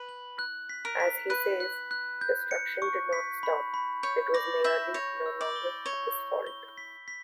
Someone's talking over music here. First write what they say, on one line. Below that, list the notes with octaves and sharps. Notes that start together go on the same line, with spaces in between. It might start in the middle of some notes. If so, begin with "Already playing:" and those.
As he says, destruction did not stop, it was merely no longer his fault.
Already playing: B4
F#7
F#6
B6
A#4
B6
B4 F#6
F#6
F#6
G6
C#7
C#6
B6
B5
B5
C#5 G6
D5 A#6
E4 E5 G6
C#5 A#6
E6
D5
G7
C#5 G7
G7
G7
B6
B6